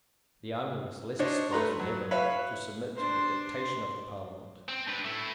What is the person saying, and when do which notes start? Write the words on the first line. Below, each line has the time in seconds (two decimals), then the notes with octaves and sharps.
The army was less disposed than ever to submit to the dictation of the Parliament.
1.19 D4 C5 C#5 D#5
1.51 A3 B4 A#5 C6
1.80 F#3
2.11 B4 C#5 E5 F5
2.97 D4 C5
4.68 C4
4.87 D4 B4
5.05 A3 E4